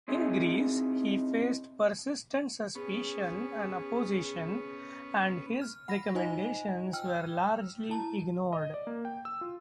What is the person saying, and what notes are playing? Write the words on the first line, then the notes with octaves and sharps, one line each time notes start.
In Greece, he faced persistent suspicion and opposition and his recommendations were largely ignored.
C4 C#4 D#4 E4 G#4
B3 C#4 G#4
F6
F#5 B5 A#6
D#4 F4 C5 D#5 G#5
G5 E6 F6
E4 A5 A#5
D#5
D5
A#3
G5
E6
F4